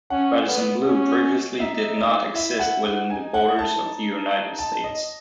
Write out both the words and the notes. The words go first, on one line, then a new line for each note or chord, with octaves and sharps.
Radisson Blu previously did not exist within the borders of the United States.
C#4 F#5
B3
C#4
D#4 E5
D#5
E4 E5
F#5
F#5
D#4 G#5
F#5
E4
A5
D#4
A5
D#5